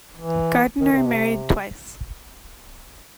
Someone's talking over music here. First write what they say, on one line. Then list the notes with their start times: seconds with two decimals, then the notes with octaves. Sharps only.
Gardiner married twice.
0.17 E3
0.80 D#3
0.92 D#3
0.96 C3
1.07 B2
1.12 C3